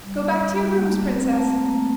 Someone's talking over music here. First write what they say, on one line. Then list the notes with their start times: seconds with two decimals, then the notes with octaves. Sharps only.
Go back to your rooms, Princess.
0.03 G3
0.54 G3
0.75 A#3
0.80 A3
1.05 C4
1.19 A#3
1.33 A3
1.47 A#3